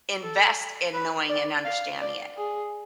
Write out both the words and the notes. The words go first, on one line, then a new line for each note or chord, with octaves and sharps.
invest in knowing and understanding it.
A4
B4
D5
F5
D5
G#4